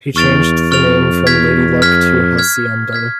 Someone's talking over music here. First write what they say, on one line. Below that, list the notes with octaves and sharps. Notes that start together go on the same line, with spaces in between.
He changed the name from Lady Luck to Hacienda.
E2 C#6 F6 A6 D7 F7
F2 C#6 F6 A6 D7 F7
E2 F6 G#6 B6
F2 F6 G#6 B6
F6 G#6 B6
F6 G#6 B6